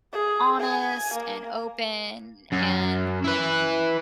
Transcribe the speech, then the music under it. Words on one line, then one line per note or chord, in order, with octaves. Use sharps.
honest and open and
G#4
G#5
A#3
F#2
E4 B4